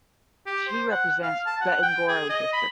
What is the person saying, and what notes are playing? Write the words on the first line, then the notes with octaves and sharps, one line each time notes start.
She represents the Ngora District.
G4
C5
F#5
F5
A5
F#5
G5
G#4
D#5
B5